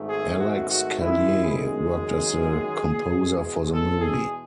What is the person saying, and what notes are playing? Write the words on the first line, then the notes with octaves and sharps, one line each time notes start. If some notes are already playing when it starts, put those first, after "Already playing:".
Alex Callier worked as the composer for the movie.
Already playing: G#1 G#2 D#3 A3
G#4
F#4
F#4
F#2 D#3 G#3 E4
G#4
E2 B2 G#3
A4
G#4